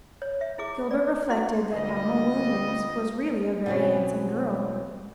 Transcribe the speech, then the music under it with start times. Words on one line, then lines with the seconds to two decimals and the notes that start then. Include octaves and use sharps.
Gilbert reflected that Alma Williams was really a very handsome girl.
0.22 C#5
0.41 E5
0.58 E4 G#4 D6
0.91 D5
1.30 E4 F#4 F#5 C6 C#6
1.72 D2 A#2 G3 B3 D#5
3.66 B2 E3 F#3 C4 C#4